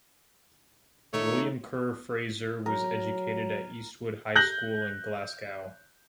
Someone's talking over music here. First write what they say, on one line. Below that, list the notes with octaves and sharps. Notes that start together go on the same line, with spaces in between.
William Kerr Fraser was educated at Eastwood High School in Glasgow.
D#3 A3 D#4 A4 C#5
F#3 A#4
F#6 G6 A#6 F#7